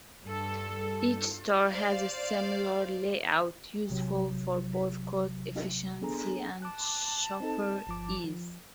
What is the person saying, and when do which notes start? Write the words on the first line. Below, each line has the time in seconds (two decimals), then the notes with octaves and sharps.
Each store has a similar layout, useful for both cost efficiency and shopper ease.
0.24 G2 A4
1.71 C5 D5 F5
3.90 A1 C3 F#3
6.02 B3 D4 G#4 A4 G#5 A#5
6.62 A5 D6 F#6
7.40 C4 D#4 A4
7.87 G1 F3 D6
8.24 F3